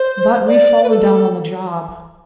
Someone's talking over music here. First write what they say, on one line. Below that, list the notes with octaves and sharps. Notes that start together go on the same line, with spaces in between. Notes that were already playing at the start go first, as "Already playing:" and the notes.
But we've fallen down on the job.
Already playing: C5
D5
B4
A4